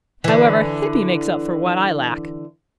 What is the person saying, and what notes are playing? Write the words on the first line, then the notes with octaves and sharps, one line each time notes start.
However, Hippy makes up for what I lack.
D3 E3